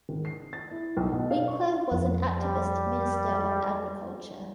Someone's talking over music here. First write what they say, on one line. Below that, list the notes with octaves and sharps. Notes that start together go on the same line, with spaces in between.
Winkler was an activist Minister of Agriculture.
G#1
C7
A6
E4
B1
B2
F5
C#6
F2
G3